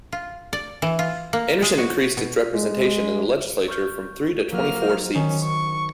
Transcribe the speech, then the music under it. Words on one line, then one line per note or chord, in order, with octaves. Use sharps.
Anderson increased its representation in the legislature from three to twenty four seats.
F4
D5
E3
F4
A#3
G#3
F#4
B2
G#3
C#6 F6 G6
F#3 A#3 F6
D#4 C5
D#3 C#4
C#6